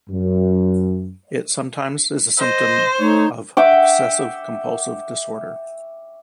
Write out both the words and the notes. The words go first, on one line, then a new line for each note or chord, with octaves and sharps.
It sometimes is a symptom of Obsessive compulsive disorder.
F#2
C5 D#5
A3 D#4 C#5
E5 F#5 G5 D6